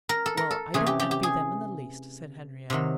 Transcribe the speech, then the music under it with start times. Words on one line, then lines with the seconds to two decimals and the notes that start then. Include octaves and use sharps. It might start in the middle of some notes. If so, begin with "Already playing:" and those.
"Well--I don't envy them in the least," said Henriette.
0.09 A#4
0.26 A4
0.37 A#4
0.51 A4
0.74 C3 E3 A3 C#4 G#4
0.86 G4
1.00 G4
1.11 G4
1.23 G#4
2.70 C3 D#3 F#3